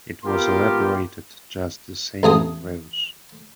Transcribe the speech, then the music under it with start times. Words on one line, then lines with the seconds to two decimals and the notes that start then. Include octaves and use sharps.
It was elaborated just the same in Reus.
0.24 B3 F4 G4 A#4 C6
2.23 A1 A3 G#4 D#6